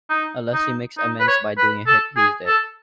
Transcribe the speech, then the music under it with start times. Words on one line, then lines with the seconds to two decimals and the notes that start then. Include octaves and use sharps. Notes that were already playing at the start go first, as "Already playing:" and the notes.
Unless he makes amends by doing a hit, he is dead.
0.10 D#4
0.53 D#4
0.98 D#4
1.20 B4
1.28 C#5
1.57 B4
1.87 A4
2.17 G#4
2.47 A4